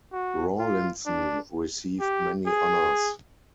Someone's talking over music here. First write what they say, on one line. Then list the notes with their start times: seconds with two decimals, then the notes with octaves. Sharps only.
Rawlinson received many honours.
0.12 F#4
0.59 F4
1.06 D4
2.00 G4
2.46 G#4